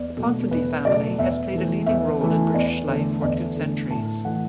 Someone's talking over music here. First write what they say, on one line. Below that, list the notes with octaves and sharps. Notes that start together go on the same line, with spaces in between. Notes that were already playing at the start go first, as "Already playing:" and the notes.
The Ponsonby family has played a leading role in British life for two centuries.
Already playing: E2 D5
B2 F#3 A3
E2 B4
B2 F#3 A3 D5
E2 E5
E3 A3
E2 E5
E3 A3
E2 D5
D3 A3
E2 D5
D3 A3
A2 A5
E3 A3 F#5